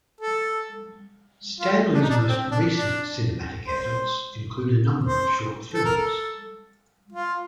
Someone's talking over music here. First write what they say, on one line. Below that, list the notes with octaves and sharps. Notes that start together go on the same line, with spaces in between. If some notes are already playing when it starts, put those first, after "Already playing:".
Stanley's most recent cinematic efforts include a number of short films.
A4
F4
D4
D#4
D4
C4
D4
D4
C5
C5
A4
A#4
A4
F4